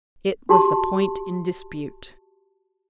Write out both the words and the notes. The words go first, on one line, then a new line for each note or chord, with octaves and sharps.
It was the point in dispute.
F#4 G4 A5 C6